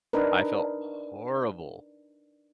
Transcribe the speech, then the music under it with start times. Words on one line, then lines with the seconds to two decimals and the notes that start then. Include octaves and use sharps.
I felt horrible.
0.13 D4 D#4 A#4 B4